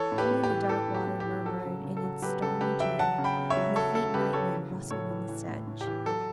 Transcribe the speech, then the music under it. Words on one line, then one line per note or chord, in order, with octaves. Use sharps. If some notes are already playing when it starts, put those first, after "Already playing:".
Only the dark water murmured in its stony channel, and the faint night-wind rustled in the sedge.
Already playing: E3 A4 C#5
A2
G4 B4
A2
G4
E3
E3 A4
A2
G4
A2
G4
E3
F#3 A4
C#3
C#3
A4
F#3
F#3 G4 B4
C#3 A4
C#3 G4 B4
F#3 E5 G5
F#3 F#5 A5
C#3
G5 B5
C#3
C#5 E5
F#3
F#3 A4 C#5
C#3 A4
C#3 G4 B4
F#3 A4 C#5
E3
A2
A2 A4 C#5
E3
E3
A2
A2
G4
E3
F#3 A4